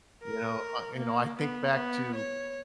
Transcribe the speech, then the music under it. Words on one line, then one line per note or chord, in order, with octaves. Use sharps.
You know, uh, you know, I think back to
A#4
A#3
B3
B3
C#5